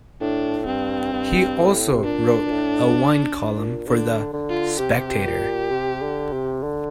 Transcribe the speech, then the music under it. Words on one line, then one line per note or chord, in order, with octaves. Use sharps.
He also wrote a wine column for "The Spectator".
A2 D4
G2 C4
G2
A2
C3
A#2 D4
A#2
A2
A#2
D3 D4
D3
F4
C3 G4
A#2
C3
D3
C3
D3